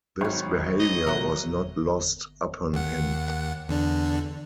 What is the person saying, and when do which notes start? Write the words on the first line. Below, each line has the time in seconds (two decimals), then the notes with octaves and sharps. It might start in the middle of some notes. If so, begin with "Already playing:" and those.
This behaviour was not lost upon him.
0.21 G#1 F#3 G3 C#4
0.80 D#5
1.07 B2 F#3 A#4 E5 F#5
2.73 D#2 F#5
3.68 E2 D3 D4